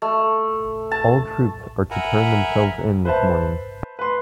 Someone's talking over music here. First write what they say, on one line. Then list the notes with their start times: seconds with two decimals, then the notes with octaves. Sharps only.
All troops are to turn themselves in this morning.
0.02 A3
0.91 A5
1.91 A#4 E5 F#5 G#5 A#5 B5
3.05 B4 C5 E5 A5
3.99 B4 C6